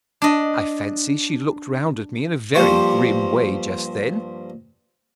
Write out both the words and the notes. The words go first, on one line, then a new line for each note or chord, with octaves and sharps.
I fancy she looked round at me in a very grim way just then.
D4 D#5
G2 F3 A#3 G4 C5 C#6